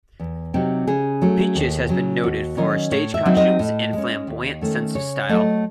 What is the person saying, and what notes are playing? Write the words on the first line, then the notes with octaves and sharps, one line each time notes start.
Peaches has been noted for her stage costumes and flamboyant sense of style.
E2
C3 F#3 C4 D#4
C#3 G#4
F#3 A3 C#4
D#2
C#3 F#3
D#2 F#4
D#3 F#3 C#4 D#5
A2 C#5
E5
F#3 C4 D#4
D#5
A2
G#3 C#4
D#2
D#3 A3 C#4
C#3 C#5
F#3 A3 D#5